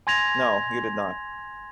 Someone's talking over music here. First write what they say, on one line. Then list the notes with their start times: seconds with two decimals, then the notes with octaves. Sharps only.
No, you did not.
0.07 G#5 C6 G#6 A#6 F7